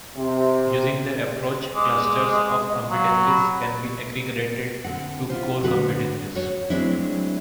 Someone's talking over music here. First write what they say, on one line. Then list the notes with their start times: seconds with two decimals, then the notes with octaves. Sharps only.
Using their approach, clusters of competencies can be aggregated to core competencies.
0.17 C3
1.75 G#3 D6
2.27 D#5
2.90 F#3 F5
3.26 B5
4.84 D3 C4 F#5
5.30 E4 F4 C5
5.63 D3 C4 F#4 B4
6.35 F#4 C#5
6.70 F#3 G#3 A3 C4 D4 E4